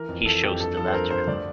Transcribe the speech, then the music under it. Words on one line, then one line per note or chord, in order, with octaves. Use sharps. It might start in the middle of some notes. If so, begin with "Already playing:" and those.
He chose the latter.
Already playing: E3 A#4
F2
E3 A4
F2 G4
G2 A4
F3 A4
C5
G2 A#4
G2 C5
D2 D5